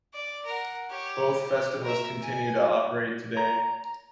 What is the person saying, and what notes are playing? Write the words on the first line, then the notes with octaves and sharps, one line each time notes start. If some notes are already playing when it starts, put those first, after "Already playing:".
Both festivals continue to operate today.
D5
A#4 F#5
G4 C#5
G4
A#4 E5
G#5
A#5